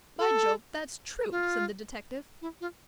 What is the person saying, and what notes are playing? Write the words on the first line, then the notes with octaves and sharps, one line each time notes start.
"By Jove! that's true," said the detective.
A4
F4
E4
F4